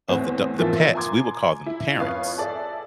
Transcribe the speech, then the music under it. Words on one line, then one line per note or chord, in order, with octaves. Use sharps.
of the do the pets, we would call them parents.
E2 A2 B3 C4
A#2 E3 F3 E5 A6
G#5 A#5 C6 D6 G#6
E4
F2 B4 C#5 F5 D#6
G#4 A4 D5 E5